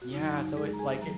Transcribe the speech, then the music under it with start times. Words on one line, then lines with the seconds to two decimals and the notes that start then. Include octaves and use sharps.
Yeah, so, it like, it
0.02 F#4
0.12 F#2 C#3 F#3 D#4
0.35 D#4
0.57 G#3 G#4
0.73 A#5
0.79 G#4 G#5
1.02 D#3 F#3 A#5